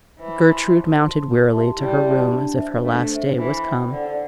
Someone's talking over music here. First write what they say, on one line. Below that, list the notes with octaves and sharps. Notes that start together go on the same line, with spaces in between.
Gertrude mounted wearily to her room as if her last day was come.
E3 C5
A5 C6
C5
A5 C6
E4
G4 E5 A5 C6
G3 E4
G4 E5 A5 C6
D4
C5 E5
A3 D4
C5 E5
E3 C5
E5 G5
D3 C5